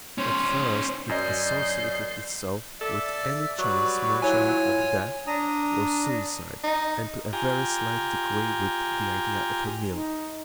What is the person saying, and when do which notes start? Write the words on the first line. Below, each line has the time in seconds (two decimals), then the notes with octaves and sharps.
At first it associated itself with any chance mentioning of death or suicide and to a very slight degree with the idea of a meal.
0.18 C#4 C5
1.09 F#2 D5 D#5 G6 C7
2.81 A4 D5 E5
3.59 F#3 G3 B4 D5 C#6
4.22 E4 F4 C#5 G#5
5.27 D4 A#5 D#6
6.63 D#4
7.33 F4 G4 G5 G#5 A#5
9.88 D#4